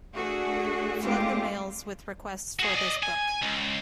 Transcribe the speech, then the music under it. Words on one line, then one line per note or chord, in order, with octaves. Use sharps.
Flood the mails with requests for this book.
A3 D4 F#4 G#4
G#3 A3 C4 D4 F4 G4
F#4 G#4
D5 D#5
G#5
C#2